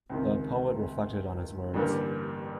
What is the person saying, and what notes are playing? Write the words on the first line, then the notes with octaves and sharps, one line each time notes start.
The poet reflected on his words.
C#2 C3 D#3
A1 G2 D3 G3 A#3